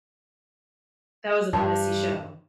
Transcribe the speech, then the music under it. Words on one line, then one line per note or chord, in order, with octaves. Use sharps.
That was a messy show.
G2 A5